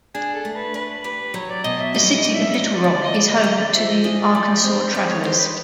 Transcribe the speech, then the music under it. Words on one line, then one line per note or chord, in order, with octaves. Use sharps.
The city of Little Rock is home to the Arkansas Travelers.
D4 G#4
A4
A3
B4
D4 B4
G4 B4
F#3 C#5
D5
B2 D#5
E5
G3 D#5
D#5
G3
E5
F#3 D#5
D5
D3
D5
D#5
D3 D5
D#5
D5
D3 D#5
D5
F3 E5
D#5
G#3 D#5
D5
G3 D5
C4 C5
G#3 D5
C#5
G4 C5
B4